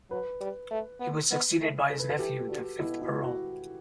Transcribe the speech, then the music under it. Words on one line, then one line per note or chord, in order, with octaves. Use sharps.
He was succeeded by his nephew, the fifth Earl.
F#3 B4
G3
A3
B3
B3
A3
A4
B4
A4
E3 G4
D3 F#4
B2 E4
E4
F#4